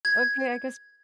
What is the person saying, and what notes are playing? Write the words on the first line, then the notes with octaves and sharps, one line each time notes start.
Okay, I guess
G#6